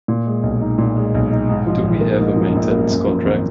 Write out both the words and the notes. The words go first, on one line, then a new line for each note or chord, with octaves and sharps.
Do we have a maintenance contract?
A#2
G#3
B1
D#4
A#2
G#3
B1
D#4
G#2
F3
A#1
A#3
G#2
F3
A#1
A#3
F#2
F3
G#1